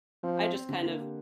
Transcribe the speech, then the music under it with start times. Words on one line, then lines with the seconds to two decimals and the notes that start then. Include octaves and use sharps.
I just kind of
0.23 F3 C4
0.39 C4
0.54 C4
0.69 D3
0.84 A#3
1.00 G4